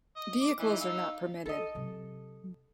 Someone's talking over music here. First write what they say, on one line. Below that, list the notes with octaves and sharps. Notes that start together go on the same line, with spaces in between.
Vehicles are not permitted.
D#5
D6
E3 D#4
D#4 F5 E6
D4 D#4 A4 D#5
C3 F#3